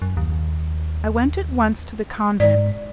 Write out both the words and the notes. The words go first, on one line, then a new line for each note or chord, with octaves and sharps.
I went at once to the convent.
F#2
D#2
G#2 D5